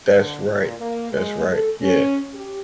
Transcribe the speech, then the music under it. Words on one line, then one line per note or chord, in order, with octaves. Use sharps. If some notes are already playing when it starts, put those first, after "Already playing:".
That's right. That's right. Yeah,
D3
A#2
A#3
G#3
A4
C#4
G4